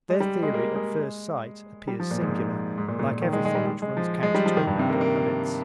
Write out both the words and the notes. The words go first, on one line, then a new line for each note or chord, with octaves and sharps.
Their theory, at first sight, appears singular, like everything which runs counter to our mental habits.
G#3
G3
G#3
A#3
G#3
G3
F3
A#2
G#2
G#2
A#2
A#2
A#2
D#3
G#3
G#3
G3
G#3
G#3
F3
G#3
G3
F3
D#3
G2
C3
A#3
A#3